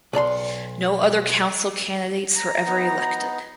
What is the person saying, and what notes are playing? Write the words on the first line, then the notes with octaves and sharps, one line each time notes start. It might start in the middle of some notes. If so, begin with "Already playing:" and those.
No other Council candidates were ever elected.
B1 D5 A#5 C6
A#5
B3 D#4